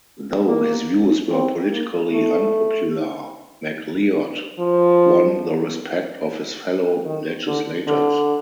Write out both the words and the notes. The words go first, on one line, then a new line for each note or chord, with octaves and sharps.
Though his views were politically unpopular, MacLeod won the respect of his fellow legislators.
A#3
C4
A#3
A3
F3
D#3
D3
D3